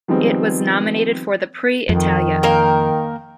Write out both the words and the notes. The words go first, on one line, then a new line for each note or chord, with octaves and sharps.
It was nominated for the Prix Italia.
D#3 F3 G3 G#3 B3 C4
F2 D#3
A#3 A#4 G5